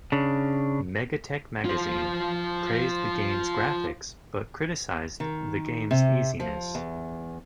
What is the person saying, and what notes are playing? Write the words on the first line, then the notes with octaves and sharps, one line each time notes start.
"MegaTech" magazine praised the game's graphics, but criticized the game's easiness.
C#3 D4
F4 C5
D#3
C3
F3
E2